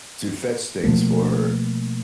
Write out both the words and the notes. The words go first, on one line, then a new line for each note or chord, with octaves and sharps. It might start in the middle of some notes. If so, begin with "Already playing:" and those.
to fetch things for her,
B2 F3 A3 A#3